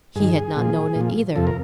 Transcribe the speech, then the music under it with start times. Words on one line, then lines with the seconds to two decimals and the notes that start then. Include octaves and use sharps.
He had not known it either.
0.15 G2 D#3 G#4
0.56 A#2 F3
0.96 A#2 F3
1.36 F2 C3 F3 A4
1.47 A#4